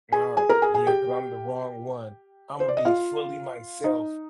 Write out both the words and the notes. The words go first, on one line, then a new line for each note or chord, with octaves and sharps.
Naw, yeah, 'cause I'm the wrong one. Imma be fully myself.
G#4 G#5
G#4 G#5
A#4 A#5
G#4 G#5
G#4 G#5
G4 G5
C5
D5
D#5
F4 F5
D#4 D#5